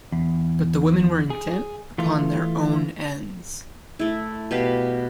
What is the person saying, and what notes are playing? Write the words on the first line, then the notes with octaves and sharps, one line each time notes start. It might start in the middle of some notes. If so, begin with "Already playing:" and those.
But the women were intent upon their own ends.
E2
G#4
E3 A3 F4
A3 E4
B2 G4 B4 F5